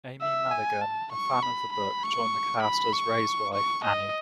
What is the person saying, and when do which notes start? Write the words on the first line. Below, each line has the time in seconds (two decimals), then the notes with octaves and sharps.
Amy Madigan, a fan of the book, joined the cast as Ray's wife, Annie.
0.21 E5
0.52 G#5
0.81 A5
1.12 C#6
1.42 B5
1.73 B5
2.03 C#6
2.63 B5
2.93 C#6
3.54 C#6
3.85 D#5